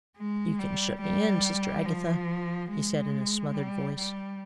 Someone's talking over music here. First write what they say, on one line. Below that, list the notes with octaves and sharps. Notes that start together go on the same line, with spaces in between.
"You can shut me in, Sister Agatha," he said, in a smothered voice.
G#3
G3
G3
F3
G#3
G3
G3